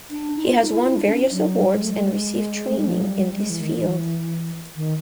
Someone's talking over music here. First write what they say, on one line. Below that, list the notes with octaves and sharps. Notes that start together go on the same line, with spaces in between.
He has won various awards and received training in this field.
D4
D#4
F4
D#4
E4
F4
E4
D4
C#4
F#3
G3
G#3
A3
G#3
A3
G3
F3
F#3
G3
G3
G#3
E3
D#3
E3
D#3